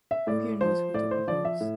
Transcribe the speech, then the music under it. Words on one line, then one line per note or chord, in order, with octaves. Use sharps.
Who Here Knows Who Took My Clothes?
E5
A2 D5
F3 C5
A2 D5
C5
F3 D5
E5
A2